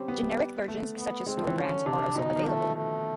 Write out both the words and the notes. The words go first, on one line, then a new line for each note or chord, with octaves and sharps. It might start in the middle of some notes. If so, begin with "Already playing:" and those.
Generic versions, such as store brands, are also available.
Already playing: G3 C4 C#4
B3
A3
B3
G#3 C4
F3
E3
D3 C#4
C3 D4
B2 D#4
B2
D#3
F3 A3
A3